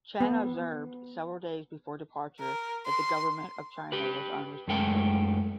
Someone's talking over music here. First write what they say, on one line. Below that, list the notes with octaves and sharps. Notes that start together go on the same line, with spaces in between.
Chen observed several days before departure that the government of China was unresponsive.
B3
A#4
C6
G4 B4
F#2 G#3 A3 G5